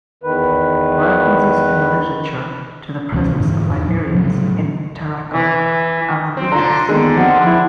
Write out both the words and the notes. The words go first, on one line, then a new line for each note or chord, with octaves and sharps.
References in the literature to the presence of Iberians in Tarraco are ambiguous.
E2 D#3 B4
D1 C2 E3 C#4
G#2 D3 E3
E2 A2
F3
A2 C#3 F#3
E3
C4
D3 F4 A#5
D3 D#3 G#3 A#3 B3 D#4 G#4
F3 C4 F#4 F#5
E4